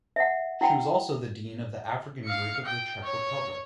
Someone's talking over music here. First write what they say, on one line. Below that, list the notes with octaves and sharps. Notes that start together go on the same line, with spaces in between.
She was also the Dean of the African Group of the Czech Republic.
E5 F#5
E4 F#5 G5 B5
F5 C#7
G5
C#5